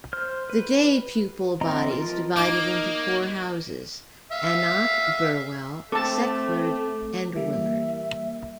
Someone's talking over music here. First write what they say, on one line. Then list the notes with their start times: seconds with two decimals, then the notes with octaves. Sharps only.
The day pupil body is divided into four houses, Annott, Burwell, Seckford and Willard.
0.13 C5 F6
0.50 B4
1.61 E3 C4 D#5 A#5
1.91 F3 F4 A#4
2.37 A#3 D#4 D6
4.32 E5 F5
5.92 A3 C4 A4 A5 D6
7.35 E3 G3 A#3 E5